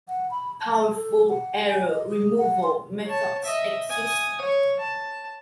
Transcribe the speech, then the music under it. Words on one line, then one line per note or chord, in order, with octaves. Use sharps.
Powerful error removal methods exist.
F#5
B5
A5
A4
F#5
G#5
D#5
G#4
F#5
C6
C#5 A5
D#5 E5
G#5 D#6
C#5
A5